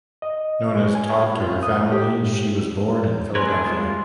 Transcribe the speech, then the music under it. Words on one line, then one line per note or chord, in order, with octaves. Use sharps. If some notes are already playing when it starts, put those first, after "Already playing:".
Known as "Tod" to her family, she was born in Philadelphia.
D#5
G#3
G#5
F4
D#6
G4
G#2
C4 A#4 B4 C#5 D#5 G#5
D4 A4
G3 G#3 F4